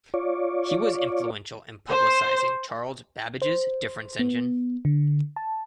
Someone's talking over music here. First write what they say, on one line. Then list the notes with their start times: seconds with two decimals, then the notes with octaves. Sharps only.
He was influential in publicising Charles Babbage's difference engine.
0.14 F4 C#5 D5
1.90 C5
3.42 C5
4.19 B3
4.85 D3
5.36 A5